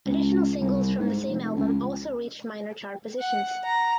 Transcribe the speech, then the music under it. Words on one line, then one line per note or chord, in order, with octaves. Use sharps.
Additional singles from the same album also reached minor chart positions.
C#2
C2
G#2
F1
C#2
F#5
A#5